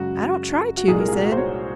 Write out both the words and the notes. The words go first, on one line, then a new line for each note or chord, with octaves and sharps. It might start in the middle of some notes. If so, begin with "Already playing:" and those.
"I don't try to," he said.
Already playing: F#2 C#3 G#3 F#4
F#4
C2 A#2 G#3 G#4
A#4
G#4
F#4
F#4
C5
C#5